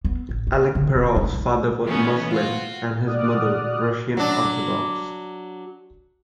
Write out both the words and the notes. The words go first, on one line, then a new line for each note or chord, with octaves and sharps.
Alekperov's father was a Muslim and his mother, Russian Orthodox.
B3
A1
A3
D3
D1
D#4
B1
E3 A3 B3 C#4 D#4
F4 F#4
A#2 F#4 D5 D#6 F6 F#6
F#3 D4